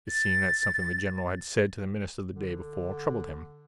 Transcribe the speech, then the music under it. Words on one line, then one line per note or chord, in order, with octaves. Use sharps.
It seemed that something the general had said to the minister the day before troubled him.
A6
D3